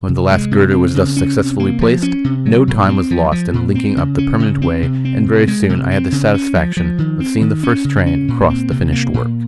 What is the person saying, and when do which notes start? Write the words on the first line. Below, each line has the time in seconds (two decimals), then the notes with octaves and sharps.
When the last girder was thus successfully placed, no time was lost in linking up the permanent way, and very soon I had the satisfaction of seeing the first train cross the finished work.
0.09 C3
0.30 G#3
0.51 C3
0.73 C4
0.95 C#3
1.17 C#4
1.38 C3
1.60 A#3
1.81 F3
2.03 C#4
2.24 C3
2.46 F#3
2.68 A#2
2.89 C4
3.11 F3
3.32 F3
3.54 A#2
3.75 C4
3.97 C#3
4.18 C#4
4.40 C#3
4.62 C4
4.83 C3
5.05 C4
5.26 C3
5.48 G#3
5.69 C3
5.91 C4
6.12 C#3
6.34 C#4
6.56 F3
6.77 F3
6.98 D#3
7.20 C4
7.41 D#3
7.63 C#4
7.85 C#3
8.06 C#4
8.28 A#2
8.50 C4
8.71 C3
8.92 A#3
9.14 A#2